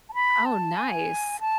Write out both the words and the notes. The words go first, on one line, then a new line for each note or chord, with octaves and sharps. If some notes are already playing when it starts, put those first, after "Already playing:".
Oh, nice.
A5
B5
A5
G#5
A5